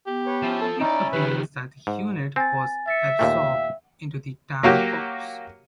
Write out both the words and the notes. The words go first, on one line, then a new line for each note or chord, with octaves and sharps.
It appears that the unit was absorbed into the Tank Corps.
B3 G4
B4 C#5
F3 C#4 E4 A5
A4
D2 C#4 D#4 E4 D5 A#5
D#3 F3 G4 B4
G#2
C4 G#5 A6
E5 A6 C#7
D#2 A#2 A3 F5 G5
F#3 A#3 F#4 G4